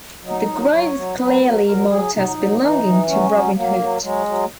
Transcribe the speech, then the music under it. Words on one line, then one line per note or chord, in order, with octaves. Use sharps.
The grave is clearly marked as belonging to Robin Hood.
F#3 D#4
F#3
F#3 C#5
F#3
F#3 B4
F#3
F#3 A#4
F#3 G#4
F#3 D#4
F#3
E3 D#4
E3
F#3 C#4
F#3
F#3 A#3
F#3
F#3 G#3
F#3